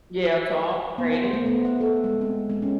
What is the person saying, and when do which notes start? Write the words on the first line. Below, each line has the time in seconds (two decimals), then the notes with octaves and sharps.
Yeah, Tom Brady,
0.98 B3
1.14 C5
1.33 A3
1.46 B3
1.65 F#5
1.81 A4
2.04 G#3
2.21 C4
2.49 G#3
2.62 C#4